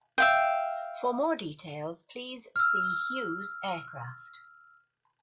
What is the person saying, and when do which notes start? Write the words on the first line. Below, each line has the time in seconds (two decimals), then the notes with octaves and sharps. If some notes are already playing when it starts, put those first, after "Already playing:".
For more details, please see Hughes Aircraft.
0.18 E5 F5 G5
2.56 E6 F6